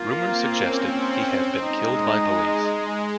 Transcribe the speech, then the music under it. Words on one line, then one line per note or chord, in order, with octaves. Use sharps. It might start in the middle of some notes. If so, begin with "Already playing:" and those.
Rumours suggested he had been killed by police.
Already playing: A#3 F4
C4
C#4
G#3 D#4
G#3